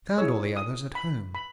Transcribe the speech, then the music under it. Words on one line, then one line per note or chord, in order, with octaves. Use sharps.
I found all the others at home.
E4 G#4 C#5 E6
D#6
B5
B5